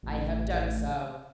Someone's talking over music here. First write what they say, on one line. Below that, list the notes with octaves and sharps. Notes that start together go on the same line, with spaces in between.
I have done so.
A1